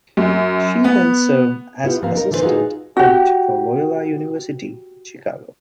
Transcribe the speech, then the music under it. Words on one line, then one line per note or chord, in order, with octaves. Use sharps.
She then served as assistant coach for Loyola University Chicago.
F#2
B3
B3 E4 F4 G4
G#2 F3 A#3 C4 B4 F5
D#4 A#4
D3 E3 A#3 F#4 B4 C5
D#4 F4 F#4 G#4
F#4 G4